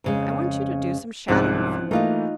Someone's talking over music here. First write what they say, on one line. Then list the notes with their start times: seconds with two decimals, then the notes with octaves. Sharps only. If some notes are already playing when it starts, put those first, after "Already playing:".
"I want you to do some shadowing for me."
0.04 F2 C#3 G#3
1.28 C2 G#2 F3 C4 C#4 F#6
1.91 E3 A3 A#3 D#4 F4 D#5